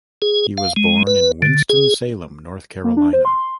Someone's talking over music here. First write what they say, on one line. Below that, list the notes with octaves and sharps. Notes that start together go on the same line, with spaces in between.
He was born in Winston-Salem, North Carolina.
G#4
F5
G#3
B4
D3
G#4
A#3
D4
C5
C6